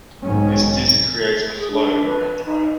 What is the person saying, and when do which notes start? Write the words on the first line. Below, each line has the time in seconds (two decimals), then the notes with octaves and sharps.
This disc creates a flow around the rotor.
0.23 B1 G#2 B2 D#3 F#3 C#4
1.57 G#4
1.72 D4
2.06 B4
2.45 D#4